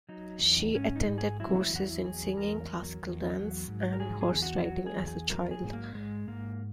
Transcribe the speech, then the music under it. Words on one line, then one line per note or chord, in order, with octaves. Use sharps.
She attended courses in singing, classical dance, and horse-riding as a child.
F#3 D#4
E2
G#2 C#4
D#4
G#2
G#4
F#3 E4
E4
E2 F#4
E4
F#3 G#4
E2 A#4
F#3
E2
F#3
G#2
A#4
F#3 G#4
G#4
E2
F#4
F#3 F#4
G#4
E2
G#4
F#3 A#4
G#4
G#2
A#3
G#2 G#3
G#2 A#3